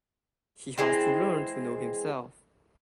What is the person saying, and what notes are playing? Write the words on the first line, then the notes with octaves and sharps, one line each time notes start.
He has to learn to know himself.
E3 G#3 C4